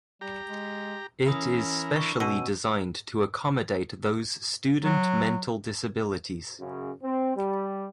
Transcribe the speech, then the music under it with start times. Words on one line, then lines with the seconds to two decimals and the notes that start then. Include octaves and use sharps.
It is specially designed to accommodate those student mental disabilities.
0.21 G3 G4 A#5
0.49 G#3
1.26 E3 C#4 A#4 B5 D#6
1.96 D4 C#6
2.20 B2 C#4 E6 D#7
4.83 F#3
6.59 F#2 C#3
7.02 C4
7.36 G3